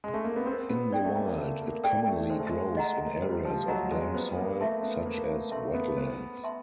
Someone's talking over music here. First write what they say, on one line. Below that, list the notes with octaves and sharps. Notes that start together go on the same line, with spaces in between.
In the wild, it commonly grows in areas of damp soil, such as wetlands.
G#3
A3
A#3
B3
C4 A#4
B3
B3 D5 G5
A3
A#3
A3 A#4
A#3
A3 D5 G5
A3
G#3 C5
A3
G#3
D#5 F#5 A#5
G3 C5
F3
F#3 D#5 F#5 A#5
G#3
B3 C5
A#3
A3 E5 A5 C6
B3
A#3 C5
A3
A3 E5 A5 C6
B3
B3 C5
E5 A5 C6